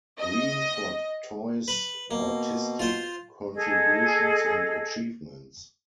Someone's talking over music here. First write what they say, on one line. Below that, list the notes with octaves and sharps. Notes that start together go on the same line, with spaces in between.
Green for Toi's artistic contributions and achievements.
D#5
B4
B2 A#3
F4 C5
G#4 A4 D#5